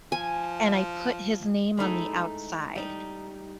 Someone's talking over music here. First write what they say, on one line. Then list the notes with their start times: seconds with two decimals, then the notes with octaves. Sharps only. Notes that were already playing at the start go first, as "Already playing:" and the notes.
and I put his name on the outside,
0.12 F3 G#5
1.77 G#3 A3 D#4 E4
2.75 G3 D#4